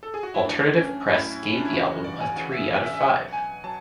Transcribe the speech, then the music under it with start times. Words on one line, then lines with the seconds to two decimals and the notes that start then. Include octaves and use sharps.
"Alternative Press" gave the album a three out of five.
0.03 A4
0.14 G#4
0.23 F#4
0.34 E4
0.44 A2 F#3 D4
0.77 C#4
1.08 A2 F#3 E4
1.51 C#4
1.58 D4
1.65 E4
1.73 C#3 E3 F#4
2.04 D5
2.20 G#5
2.36 C#3 E3 F#5
2.52 E5
2.69 D5
2.83 E5
2.93 E5
3.00 B2 F#3 F#5
3.33 G#5
3.64 F#3 A5